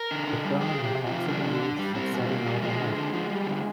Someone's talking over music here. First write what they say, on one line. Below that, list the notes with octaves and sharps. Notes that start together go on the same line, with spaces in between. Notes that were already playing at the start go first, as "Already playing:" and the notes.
The term may also be used for setting out a net.
Already playing: A#4
D3
D3
G3
F3 G#4
C3
G4
C3
F4
F3
G3 D4
D3
D3
G3
G3 C4
A#2
C4
A#2 A#3
G3
F3 G#3
D3
D3
F3
G3
D3